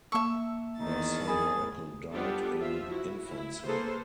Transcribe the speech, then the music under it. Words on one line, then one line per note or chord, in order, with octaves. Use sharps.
Their son Michael died in infancy.
A#3 E5 A5 C#6 E6
E2 D#3 D#4 A6
G#4 A#4 G#5 B5
G3 B3 D4 F4 G4 A4
F3 F4 E5
E4 F#4
E4
A#3 G#4 A4 B4 C5